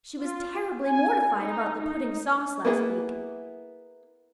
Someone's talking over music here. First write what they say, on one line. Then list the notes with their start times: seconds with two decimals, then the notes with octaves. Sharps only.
She was terribly mortified about the pudding sauce last week.
0.21 F4
0.87 G#5
1.37 D#4
1.81 D#4
2.65 A#3 B3 E4 F#4 G#4